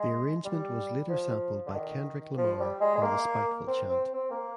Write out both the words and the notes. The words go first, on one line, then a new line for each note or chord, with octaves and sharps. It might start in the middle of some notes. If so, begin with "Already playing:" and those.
The arrangement was later sampled by Kendrick Lamar for The Spiteful Chant.
Already playing: G#3
G3
F3
D3
D#3
F3
G3
G#3
G#3
A#3
C4
C4
C4
A#3